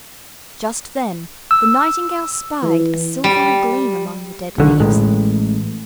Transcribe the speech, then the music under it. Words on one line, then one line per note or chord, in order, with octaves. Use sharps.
Just then the Nightingale spied a silvery gleam among the dead leaves.
E6
E3
G3
B1 D3 D#3
A1 A2 G#3